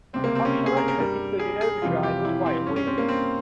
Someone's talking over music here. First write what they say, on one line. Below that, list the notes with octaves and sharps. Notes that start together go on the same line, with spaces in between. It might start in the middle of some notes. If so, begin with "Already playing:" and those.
Optional extras included overdrive and wire wheels.
C#2 C3 G3 C4
A#3
C4
C#4
G#4
A#4
A#4
G2 G3
G#4
G#4
F2 C3 E3 G3 F4
G4
E4
C4
G2 G3 C#4
C#4
C4
A#3
C4